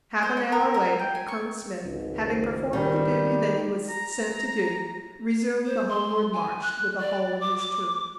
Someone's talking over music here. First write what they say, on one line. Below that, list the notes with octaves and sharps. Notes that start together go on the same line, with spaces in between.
Half an hour later Colonel Smith, having performed the duty that he was sent to do, resumed the homeward march with the whole of his troops.
C5
C#5
A#4
A#4
G5
G#5
C#6
G#1 C#2
D#3 G3
A#5
C5
C6
G#5
F#6
D5
D6
D6